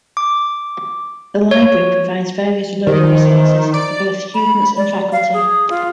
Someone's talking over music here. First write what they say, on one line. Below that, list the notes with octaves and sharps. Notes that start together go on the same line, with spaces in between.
The library provides various learning resources for both students and faculty.
D6
C#5
D#3 C5
D5
B5
D5
F5
G#4
F4